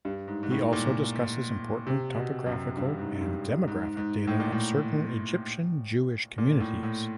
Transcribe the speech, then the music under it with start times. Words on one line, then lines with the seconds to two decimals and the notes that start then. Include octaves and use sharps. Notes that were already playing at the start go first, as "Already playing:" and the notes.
He also discusses important topographical and demographic data of certain Egyptian Jewish communities.
0.05 G2
0.28 G#2
0.43 G#2
0.51 A2
0.73 A#2
1.87 C3
2.16 B2
2.46 F#2
2.77 G2
2.99 G#2
3.21 G2
3.67 G#2
3.97 G#2
4.27 A2
4.40 A#2
4.52 A2
6.38 A#2
6.60 A2
6.83 A2